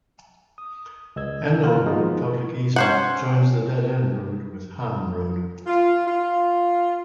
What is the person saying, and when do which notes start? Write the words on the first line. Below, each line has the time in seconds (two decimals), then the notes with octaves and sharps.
Endall Road public easement joins the dead end road with Hamm Road.
0.58 D#6
1.16 C#2 D#5 E6 G#6
1.64 A#2 F4 F#5 F6
1.86 F3 G#3 B3 D#4 F4 F#4
2.76 C#4 C5 F#5
5.66 F4
6.06 F4